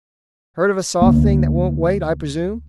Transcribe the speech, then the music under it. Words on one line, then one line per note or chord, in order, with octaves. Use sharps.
Heard of a soft thing that won't wait, I presume?
D2 A#3